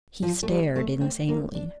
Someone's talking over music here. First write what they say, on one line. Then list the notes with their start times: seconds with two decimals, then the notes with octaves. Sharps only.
He stared insanely.
0.23 F3
0.43 A3
0.49 G3
0.76 A3
1.01 C4
1.28 A#3
1.54 D4